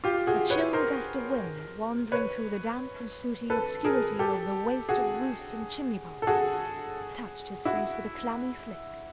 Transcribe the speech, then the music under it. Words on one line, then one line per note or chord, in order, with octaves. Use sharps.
A chill gust of wind, wandering through the damp and sooty obscurity over the waste of roofs and chimney-pots, touched his face with a clammy flick.
F4 G4
F#4 G#4
B4 C#5
A#4 C5
B4 C#5
A4 B4
G#4 A#4
G4 A4
F#4 G#4
A4
F#4 G#4
E4 F#4